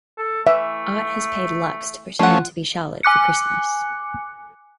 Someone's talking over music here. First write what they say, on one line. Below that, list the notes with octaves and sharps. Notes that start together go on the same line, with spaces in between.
Art has paid Lux to pretend to be Charlotte for Christmas.
A4
E3 A3 E5
F3 A3 C#4 F4 F#5
G#5 D6 F#6 C#7